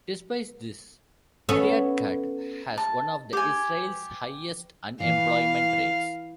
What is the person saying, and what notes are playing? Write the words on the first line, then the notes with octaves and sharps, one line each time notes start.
Despite this, Kiryat Gat has one of Israel's highest unemployment rates.
B3 C#4 A4
A5
G4 G#5
E3 F5